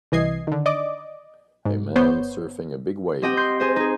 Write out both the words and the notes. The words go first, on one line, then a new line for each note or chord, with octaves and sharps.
A man surfing a big wave.
C2 E3 D#5 G#6 C7
D3 D#3
D5 D#5 D6
G#2
G1 B3 C5 C#5 G6
C4 G4 D#5 F#5 G5
C6 G6 C7
G#4 C5 D#5
D#4 G#4